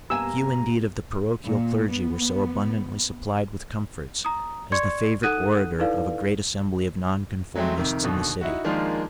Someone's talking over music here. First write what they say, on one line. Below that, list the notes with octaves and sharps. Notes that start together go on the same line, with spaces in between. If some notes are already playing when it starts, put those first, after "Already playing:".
Few indeed of the parochial clergy were so abundantly supplied with comforts as the favourite orator of a great assembly of nonconformists in the City.
G2 A#3 B3 G4 G#5 A#5 E6
A#2
B3
A#5 D#6
D5 C6 C#6 G#6 C#7
D#4 A4 F#5 D#6 F#6 D#7
D#4 E4 A4 B4 D5 F5
F#3 G#3 A3 C4
F2 C3 D#3
D#2 B2 D3
D#4 E4 F#4
D#3 F3 G#3 A#3 D4 F4